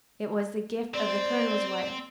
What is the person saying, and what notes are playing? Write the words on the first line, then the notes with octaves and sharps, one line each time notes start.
It was the gift of the colonel's wife.
C4 C5 D5